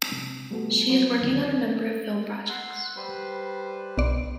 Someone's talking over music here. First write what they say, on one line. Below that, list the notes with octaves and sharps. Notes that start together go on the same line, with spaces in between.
She is working on a number of film projects.
C3
G3 A3 B3 F#4 A4
F#3 A#3 B3 C5
D#2 D3 F#3 B3
F#5 C6 E6
G3 B4 C5
B1 D5